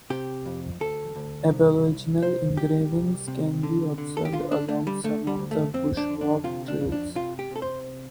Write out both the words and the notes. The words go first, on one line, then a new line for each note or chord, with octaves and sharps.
Aboriginal engravings can be observed along some of the bushwalk trails.
C3 G4
F2
D2 A4
D2
C2
C2
C3 C5
D2 G4
C2
C3
D3
D3
A4
G4
D3 F4
D4
D3 A3
G3
D3 A3
G3
D2
A3
F2 C4
D4
D3
D4
C3 F4
D4
F2
D4
C3 F4
G4
C3 A4
C5